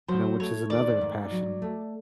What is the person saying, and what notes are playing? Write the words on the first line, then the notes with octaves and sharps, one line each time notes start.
you know, which is another passion
F#3 C5
A3 C#5
D#3 D5
G#2
F#3
A3